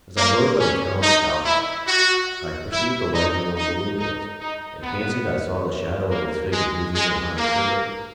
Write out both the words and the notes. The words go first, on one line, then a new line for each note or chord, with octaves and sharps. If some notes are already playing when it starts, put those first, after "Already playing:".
As I rode by the count's house I perceived a light in one of the windows, and fancied I saw the shadow of his figure moving behind the curtain.
A#3
C#4
D#4
E4
F#4
E4
D#4
D#4
D#4
D#4
B3
A#3
G#3
G#3
A#3